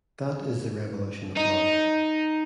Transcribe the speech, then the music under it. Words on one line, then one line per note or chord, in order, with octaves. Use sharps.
That is the revolution of love.
D#4